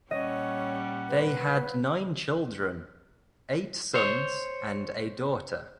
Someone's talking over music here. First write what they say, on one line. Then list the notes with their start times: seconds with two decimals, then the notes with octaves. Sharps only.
They had nine children, eight sons and a daughter.
0.11 A#2 G3 C#4 C#5 D#5 F#5
1.09 B4
3.94 C5 C#5